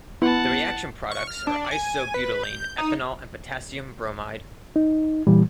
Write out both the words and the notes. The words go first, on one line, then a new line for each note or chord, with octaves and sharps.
The reaction products are isobutylene, ethanol and potassium bromide.
B3 E4 F#5 A5
C#6
F6
D4
G#5
B4
G6
D#4
D#4
A#2 E3 G3